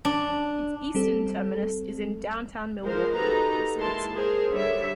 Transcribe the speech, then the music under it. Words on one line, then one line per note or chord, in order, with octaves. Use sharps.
Its eastern terminus is in downtown Milwaukee, Wisconsin.
D4
G3 C4 A4
F3 G#3 A#4 C5
D#4 F#4 G4 A4 B4 A#5
G#3 A#3 E4 A5 C6
G#4 A#4 C5
D3 G3 C#5 E5